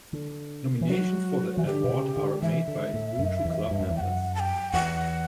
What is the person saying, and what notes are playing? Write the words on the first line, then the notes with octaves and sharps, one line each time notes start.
Nominations for the award are made by Groucho Club members.
D3
E3
F#3 F#4
E3
D3 G4
B2
C#3
D3
E3 E5
D3
A2
F#2
E2
G2
F#2
E2
G5
F#2 F#5
A5
G5
E2 F#5